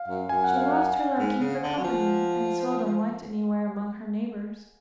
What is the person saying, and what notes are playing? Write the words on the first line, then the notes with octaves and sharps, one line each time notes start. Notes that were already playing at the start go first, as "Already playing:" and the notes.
She lost her liking for company, and seldom went anywhere among her neighbours.
Already playing: F5
F#2
F#2 G#5
F#5
F5
F#5
G#2
C#3
D3
F#3
F3